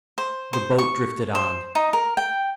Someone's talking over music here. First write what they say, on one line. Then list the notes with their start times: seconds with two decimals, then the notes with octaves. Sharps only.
The boat drifted on.
0.18 C5
0.53 C5
0.78 C#6
1.35 C5
1.75 D#4
1.93 A#4
2.17 G5